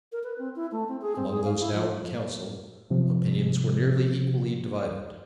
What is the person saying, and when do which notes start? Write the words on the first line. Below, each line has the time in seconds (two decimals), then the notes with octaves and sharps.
Among those now in council opinions were nearly equally divided.
0.12 A#4
0.24 B4
0.38 C4
0.56 E4
0.72 A3
0.88 C4
1.01 G#4
1.16 C4
1.32 G#4
1.45 F5
1.60 E4
1.74 F3
2.90 C3 F3